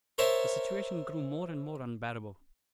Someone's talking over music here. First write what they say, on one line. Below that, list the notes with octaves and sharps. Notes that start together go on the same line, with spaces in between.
The situation grew more and more unbearable.
A#4 C5 C#5 E5 A5